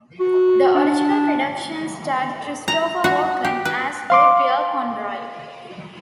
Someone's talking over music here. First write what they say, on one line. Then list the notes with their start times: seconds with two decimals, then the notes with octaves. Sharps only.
The original production starred Christopher Walken as Gabriel Conroy.
0.20 F#4
0.75 D4
2.68 A#5
3.04 F#4
3.45 G4
3.65 B4
4.10 F5 C6 D6